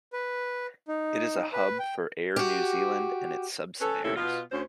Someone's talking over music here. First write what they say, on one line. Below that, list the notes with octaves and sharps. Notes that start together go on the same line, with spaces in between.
It is a hub for Air New Zealand and its subsidiaries.
B4
D#4
B4
G5
F#4 G4
C#4 A4 B4
D#2 A2 C3 C#4 E4 A4
B2 B3 F4
D2 C#4 C5